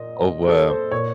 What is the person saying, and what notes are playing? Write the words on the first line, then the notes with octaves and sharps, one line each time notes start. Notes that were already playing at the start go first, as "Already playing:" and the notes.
Oh, wow.
Already playing: A#2 D#5
A4
C5
A#2 C#5